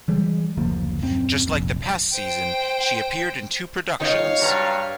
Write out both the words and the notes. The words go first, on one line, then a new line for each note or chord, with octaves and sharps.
Just like the past season, she appeared in two productions.
E3 G3 G#3
F#1 D2 F3 A#3
D#1 F#2 C4
F1 A#1
C5 G5
G1 D#3 D#4 C#5 F5
G2 F#3 A#5